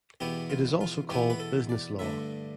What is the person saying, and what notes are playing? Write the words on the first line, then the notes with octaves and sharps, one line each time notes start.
It is also called business law.
E2 B2 B3 E4 G4
F4
F4
E2 B2 B3 E4 G4
B4
A4
D5
G2 D3 A3 E5